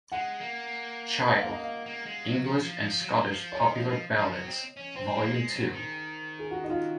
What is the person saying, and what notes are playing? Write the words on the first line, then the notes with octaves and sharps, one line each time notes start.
Child, "English and Scottish Popular Ballads", ii.
G#3 F#5
A#3
F#5
F5
D#5
F5
A#3
G#3
F#3
F3
F3
F3
F#3
F3
C#5
D#3 D#5
F3
F3
F3
F#3
C4
C#4
C4 C5
A#3 G#4
G#3
F#3
D#3
G#4
F#4
D#4
F4